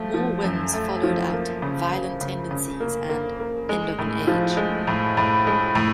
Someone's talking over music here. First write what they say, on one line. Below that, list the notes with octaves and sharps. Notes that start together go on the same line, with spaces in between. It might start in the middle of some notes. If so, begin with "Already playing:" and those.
More wins followed at "Violent Tendencies" and "End of an Age".
Already playing: F3 A3
F3
F#2
A3
F3
A#3
C#3
C#3
C#3
C#3
A#3
A#3
A#3
G#3
A2
F3
G#3
A2
A2
G#3
A2